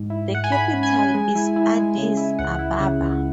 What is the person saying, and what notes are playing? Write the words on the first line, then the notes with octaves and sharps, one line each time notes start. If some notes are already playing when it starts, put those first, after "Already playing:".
The capital is Addis Ababa.
Already playing: G#2
E4
G#2 F#5
G#5
G#2 B5
C#4
G#5
C#4
G#3
E4
E4
G#3
C#3
E4
C#2 F#5
E4
C#3
C#2